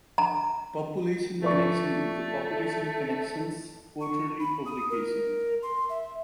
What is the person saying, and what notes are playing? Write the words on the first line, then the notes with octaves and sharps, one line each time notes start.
"Population Connection" is Population Connection's quarterly publication.
A#5
F3 A3 D5 C#6
C#6
B5
D#6
A#4
C6
E5